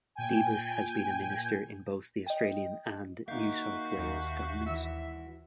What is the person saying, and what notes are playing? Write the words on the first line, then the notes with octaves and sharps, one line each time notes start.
Debus has been a minister in both the Australian and New South Wales governments.
A#2 G5 G#5
D#5 G5
A#3 D#4 F#4 E5 F5 G6
D#2
E3 F#4 E5